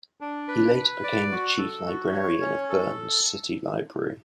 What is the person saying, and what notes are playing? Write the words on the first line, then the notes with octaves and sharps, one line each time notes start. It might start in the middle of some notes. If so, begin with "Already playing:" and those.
He later became the chief librarian of Bern's city library.
D4
B4
B4
D5
F#4
A4
F#4
C#5
C#4
A4